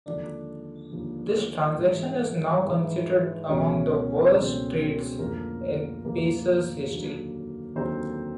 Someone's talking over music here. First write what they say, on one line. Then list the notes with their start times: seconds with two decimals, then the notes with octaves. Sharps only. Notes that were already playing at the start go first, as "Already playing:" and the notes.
This transaction is now considered among the worst trades in Pacers' history.
0.06 D#2 D3 F3 G#3 D4 D5
0.92 D#2 D3 F3 G#3
1.78 G#2 E3 G#3
2.63 G#2 E3 G#3
3.48 C#2 B2 F#3 A3 C#4 C#5
4.34 C#2 B2 F#3 A3 C4 C5
5.19 F2 D3 F3 A3 A#3 A#4
6.05 F2 D3 F3 A3 A#3 A#4
6.91 D#2 D3 F#3
7.76 D#2 D3 F#3 C4 C5